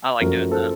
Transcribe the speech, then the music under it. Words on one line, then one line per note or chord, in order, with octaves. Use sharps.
I like doing that.
F#2 F3 A3 F#4 A#4
A4 C5